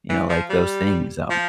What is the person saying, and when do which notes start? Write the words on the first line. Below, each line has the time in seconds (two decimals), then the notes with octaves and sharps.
you know, like those things, um
0.10 E3
0.29 F3
0.50 G3
1.30 F3